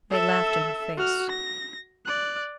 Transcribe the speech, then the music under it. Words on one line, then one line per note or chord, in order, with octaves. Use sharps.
They laughed in her face.
A4 E5
F#4 F6
A#6
D5 F#6